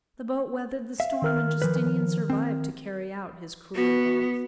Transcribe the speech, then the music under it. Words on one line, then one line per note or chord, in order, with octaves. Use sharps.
The boat weathered the storm, and Justinian survived to carry out his cruel oath.
E5 F5
D#3 A#4 F6
F3 B4
C4
B3 F#4